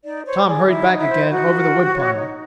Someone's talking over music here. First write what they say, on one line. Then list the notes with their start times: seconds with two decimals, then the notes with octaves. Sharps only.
Tom hurried back again over the wood pile.
0.05 D#4 D5
0.25 C5 C#5
0.47 G#4 D5
0.67 D#4 E4 E5
0.89 D#4
0.99 E4 E5
1.09 C5
1.30 D#4 F#4 F#5
1.52 A#4
1.72 G4
1.93 C#5
2.14 D#4